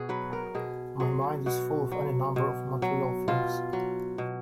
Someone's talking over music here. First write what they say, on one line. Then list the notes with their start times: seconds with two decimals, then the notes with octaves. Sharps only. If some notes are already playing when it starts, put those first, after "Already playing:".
My mind is full of any number of material things.
Already playing: B2 F#4 G#4
0.09 F#3 B4
0.33 A#4
0.55 B2 G#4
1.00 F#3 G#4
1.46 B2 F#4
1.92 F#3
2.36 B2
2.82 F#3
3.28 B2 F4
3.73 F#3
4.18 B2